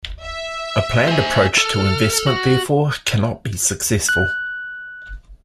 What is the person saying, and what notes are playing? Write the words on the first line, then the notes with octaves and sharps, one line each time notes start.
A planned approach to investment, therefore, cannot be successful.
E5
C5 G#5
A4 F6
F#4
F#6